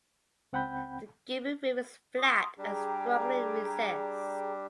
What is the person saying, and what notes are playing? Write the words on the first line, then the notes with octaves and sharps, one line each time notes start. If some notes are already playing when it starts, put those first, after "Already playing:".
The gable roof is flat and strongly recessed.
C#2 C4 F#5 G5 B5 G6
F#4 C6 D#6
G3 D4 G4 G#4 G5 A#5